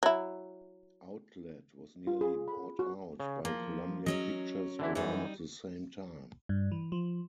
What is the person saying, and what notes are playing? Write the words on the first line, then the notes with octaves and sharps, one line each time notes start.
Outlet was nearly bought out by Columbia Pictures around the same time.
F#3 E4
F4
G#4
B5
F#4
C#3
F3 A#3
F#3 C#4 A#4 D#5
D3 E3 E4
F#2 E3 G3 D#4
G2
E3
F3